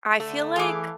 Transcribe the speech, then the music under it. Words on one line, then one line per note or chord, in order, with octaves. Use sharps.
I feel like,
D3 A3
E3 G#4 F5 D6